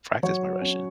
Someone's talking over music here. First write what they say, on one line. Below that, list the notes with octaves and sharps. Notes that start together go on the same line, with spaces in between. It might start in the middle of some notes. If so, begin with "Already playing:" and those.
practice my Russian.
F#3 C#5
C#4